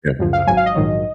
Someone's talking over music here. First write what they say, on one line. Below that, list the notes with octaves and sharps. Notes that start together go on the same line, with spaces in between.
definitely not.
F#2 F3
F5
G#1 G#2 F#3 G#5
F5
D#5
A#1 G#2 D#3 F#3